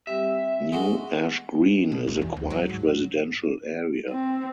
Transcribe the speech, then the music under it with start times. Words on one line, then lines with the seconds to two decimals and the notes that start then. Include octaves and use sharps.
New Ash Green is a quiet residential area.
0.07 G3 C4 G4 E5
0.72 G#3 B3 F#4
1.92 B2
2.07 G1
2.22 E2
2.36 D2
2.50 F#3
2.69 G#2
4.09 C4